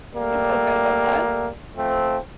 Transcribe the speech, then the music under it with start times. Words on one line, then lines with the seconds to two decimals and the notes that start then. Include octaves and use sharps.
You feel good about that?
0.14 G3 A3 A#3
1.77 F3 A3 C4